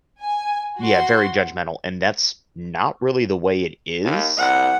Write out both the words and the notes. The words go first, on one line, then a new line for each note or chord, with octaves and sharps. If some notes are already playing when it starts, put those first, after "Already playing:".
Yeah, very judgmental, and that's not really the way it is,
G#5
F#4 C6
D#2
C2 F#5